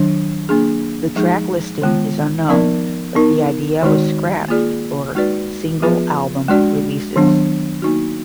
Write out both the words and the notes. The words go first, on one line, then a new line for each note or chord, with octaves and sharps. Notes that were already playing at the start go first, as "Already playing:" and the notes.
The track listing is unknown, but the idea was scrapped for single album releases.
Already playing: D#3 F#3 D4
A#3 D4 G#4
F3 G#3 D#4 G#4
D#3 G#3 B3 F4
F3 B3 D#4 A#4 D5
B3 D#4 A#4
D#3 G#3 D#4 F#4 D5
A#3 F4 G#4 D5
G#3 D#4 F#4 B4 D5
F3 B3 F4 G#4 B4
G#3 D4 F#4 D5
D#3 F#3 B3 D4
A#3 D#4 F#4